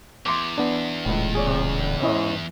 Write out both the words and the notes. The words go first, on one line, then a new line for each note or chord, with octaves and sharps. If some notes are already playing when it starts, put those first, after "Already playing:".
Oh, no.
E2 C6 D6
B3 D4
D#1 C#2 A2
G#4 C#5 D5
C#4 E4 D#5